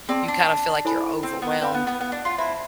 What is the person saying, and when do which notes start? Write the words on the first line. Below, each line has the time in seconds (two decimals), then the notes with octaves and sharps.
you kind of feel like you're overwhelmed
0.09 C4 G#4 D5 A5 C6
0.28 D4
0.85 E4 A4 C5 G#5 B5
1.23 C4
1.42 B3
1.61 C4 B4 F5 B5
1.74 B3
1.87 B3
2.00 B3
2.12 D4
2.25 F4
2.38 E4 C5 E5 A5 C6